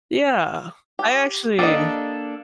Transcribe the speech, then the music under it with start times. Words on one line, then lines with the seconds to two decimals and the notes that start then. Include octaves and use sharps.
Yeah. I actually
0.99 G4
1.59 A#3 D4 G4 A4 D#5